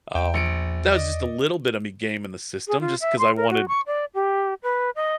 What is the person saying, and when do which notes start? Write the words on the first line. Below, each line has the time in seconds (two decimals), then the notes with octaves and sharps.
um, that was just a little bit of me gaming the system, just 'cause I wanted
0.15 E2 G5
0.34 A#1 C#7 D7
0.92 D5 D#5
2.68 G#4
2.81 F4
3.01 E5
3.19 C6
3.36 A#4
3.50 F#4
3.68 C#6
3.87 D5
4.14 G4
4.63 B4
4.96 D#5